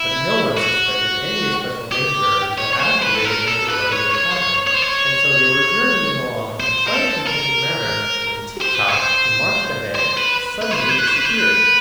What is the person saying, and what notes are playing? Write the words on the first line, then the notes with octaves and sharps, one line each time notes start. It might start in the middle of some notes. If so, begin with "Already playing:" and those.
But no one suspected any especial danger until after they had entered Ruggedo's cavern, and so they were journeying along in quite a contented manner when Tik-Tok, who marched ahead, suddenly disappeared.
Already playing: E4
F#4
G4
C#5
C#5
C5
B4
A4
A#4
A4
B4
C#5
C#5
C5
C#5
C#5
C5
C#5
C5
A#4
A4
A#4
C5
B4
C5
C5
B4
B4
C5
B4
C5
B4
C5
B4
C5
B4